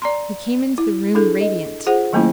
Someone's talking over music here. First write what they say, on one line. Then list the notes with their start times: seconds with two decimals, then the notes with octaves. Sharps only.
He came into the room radiant.
0.02 D5 A#5 C6
0.78 E4
1.15 D4 E4 G#4 A4
1.41 D#5
1.87 F4 G#4 C5 F#5
2.13 D#3 F#3 A3 A#3 C#4 E4